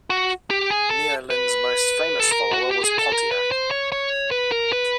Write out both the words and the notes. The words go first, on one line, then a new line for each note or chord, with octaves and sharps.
Neolin's most famous follower was Pontiac.
F#4
G4
G#4
A4
B4
A4
A#4
F#4
G4
G#4
A4
A#4
B4
C5
C#5
C#5
B4
A#4
B4